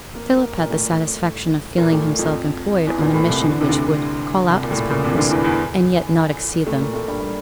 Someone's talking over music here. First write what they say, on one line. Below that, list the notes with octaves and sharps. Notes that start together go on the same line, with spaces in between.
Philip had the satisfaction of feeling himself employed on a mission which would call out his powers, and yet not exceed them.
A#3
A#3
A#2 A#3
A2 A3
A#2 A#3
A2 A3
F2 F3
E2 E3
A#2
A2
C2 C3
E3
D3
C3
D2 D3
C2 C3
A#2
A2
A#2
A#2
C2 C3
E3
D2 D3
E2 E3
E2 E3
A2 A3
A#2 A#3
A2 A3
G2 G3
G3